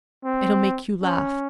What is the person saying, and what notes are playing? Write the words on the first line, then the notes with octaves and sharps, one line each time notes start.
It'll make you laugh.
C4
C#4